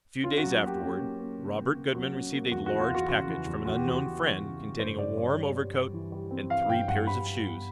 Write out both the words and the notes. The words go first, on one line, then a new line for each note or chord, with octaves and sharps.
A few days afterward Robert Goodman received a large package from an unknown friend containing a warm overcoat and three pairs of shoes.
C#4 F4
F#4
F#3
F#4
A#3 G4
C#4 G4
A#3
A#3
C#3
C#4
A#3
F#3 F#4
C#4
A#3
E2 F#4
F#4
E3
F4
E2 F#4
C#3 F#4
E3
E2
E2 F#4
G4
E2 F#4
E2
E3
C#3
C#3
G2 C5
G3 D5
G3 C#5
G3
G3
G3
E3
G3
C4
E3 F5
G2 G5
G2 F#5
G3 B5
G3
B3